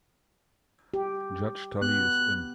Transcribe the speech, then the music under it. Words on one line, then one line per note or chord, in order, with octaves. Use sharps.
Judge Tully is in.
G4
B3 F#6